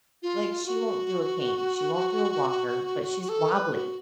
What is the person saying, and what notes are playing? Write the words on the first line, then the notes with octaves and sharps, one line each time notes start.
like, she won't do a cane. She won't do a walker, but she's wobbly.
F4
F#4
A4
B4
F#4